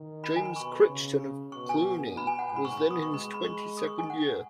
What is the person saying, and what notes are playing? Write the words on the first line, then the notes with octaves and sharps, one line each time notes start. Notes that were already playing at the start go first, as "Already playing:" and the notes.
James Crichton of Cluny was then in his twenty-second year.
Already playing: D#3
B5
G#5
B5
B2 C#6
C#3
B2 C#6
G#5
B5
G#5
F#5
G#2 G#5
B5
C#6
B5
B2
D#6
C#6
G#3 B5
B5
C#6
D#6
C#6
G#5
F#5